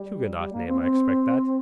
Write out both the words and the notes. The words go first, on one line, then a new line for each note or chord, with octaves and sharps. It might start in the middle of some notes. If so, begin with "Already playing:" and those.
Huguenot name I expect that.
Already playing: G3
G3
A#3
C4
C4